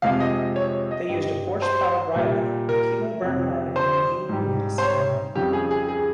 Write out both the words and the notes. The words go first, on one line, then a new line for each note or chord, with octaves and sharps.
They used a Porsche-powered Riley with Timo Bernhard and Romain Dumas driving.
F2 C3 F3 G#3 F5
D#5
C#5
D#5
G2 G3
C5
A#2 G3
A#4
F2 C3 G3
C5
G#2 G3
C5
C#5
F2 C#3 G3 G4
G#4
G#4
G#4